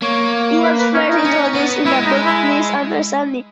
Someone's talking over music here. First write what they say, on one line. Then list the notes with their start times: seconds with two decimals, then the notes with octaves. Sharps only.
It was first introduced in the book "Please Understand Me".
0.02 A#3 C#5
0.63 B4
0.79 B4
0.94 C#4
1.09 D#4
1.25 C#4
1.55 B3
1.85 G#3 E4
2.05 D#4
2.26 E4